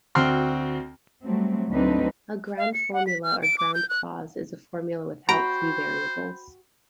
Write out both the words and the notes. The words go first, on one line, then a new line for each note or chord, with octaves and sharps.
A ground formula or ground clause is a formula without free variables.
D2 C4 F#4 G5 C6 F6
F#3 G3 A3 C4
D2 F#3 C4 D4 D#4 B4
F5
C#7
F#5
B6
F6
D7
D6
G6
F#6
F#4 C5 G5 A#5 B5 D7